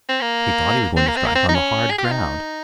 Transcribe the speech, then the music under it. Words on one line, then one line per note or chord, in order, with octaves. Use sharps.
He thought he was going to strike on the hard ground.
C4
A#3
C4
A#3
C4
A#3
C4
D#4
C#4
G#4
G4
F4
D#4